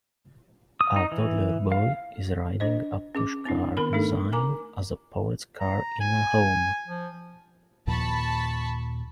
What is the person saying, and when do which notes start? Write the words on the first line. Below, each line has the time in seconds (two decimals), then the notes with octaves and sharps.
A toddler boy is riding a push car designed as a police car in a home.
0.81 D#6
0.96 D#4
1.12 E3
1.72 F5
2.60 D4 C5 D#5
3.15 C#4 G#4 D6
3.45 C4 D4 E4
3.77 D#3 B3 A#4 B5
3.93 A3 D4 D#4 A4
4.32 A#4 G#5 A#5 D6
5.60 A#5
6.00 G#5
6.88 F3
7.87 D#2 A#2 F3 A5 B5 C#6